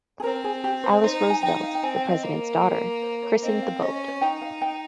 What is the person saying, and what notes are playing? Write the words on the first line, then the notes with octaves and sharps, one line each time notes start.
Alice Roosevelt, the president's daughter, christened the boat.
G#4
C4 A#4
G#4
G4
C5
D#4 C5
G#5
D#4 G5
F5
G5
C4 G#5
G5
D#5
A#3
C5
C#5
C4 D#5
D#5
F5
C#4 D#5
C#5
D#4 G5
F5
G5